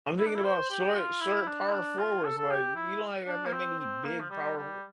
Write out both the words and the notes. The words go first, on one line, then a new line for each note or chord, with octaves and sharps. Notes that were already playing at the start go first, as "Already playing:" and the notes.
I'm thinking about short short power forwards, like, you don't even have that many big power,
E4
D4
E4
C5
G4
F4
E4
E4
D4
E4
D4
F4
A4
A4
G4
E4
D4
A#3
C4
C4
A#3
F3
G3
G3